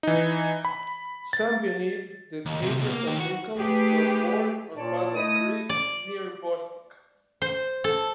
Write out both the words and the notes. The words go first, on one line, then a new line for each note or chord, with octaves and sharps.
Some believe that Abraham Lincoln was born on Puzzle Creek near Bostic.
E3 D#4
B5
A6
D#2
B1 C3
C#2 B2
A#3
D#3 G4
F#4
A3 G4 G#4 B4
A#2 C#5 D5 A5
A3 E4 D#5 D#6
D5
C5
A4